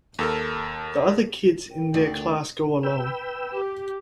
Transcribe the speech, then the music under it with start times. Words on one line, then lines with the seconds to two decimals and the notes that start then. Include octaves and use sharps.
The other kids in their class go along.
0.19 D#2 A4 A#4
1.69 A#4 G5
1.94 D2 D4
2.83 B4 G5 E6
3.52 G4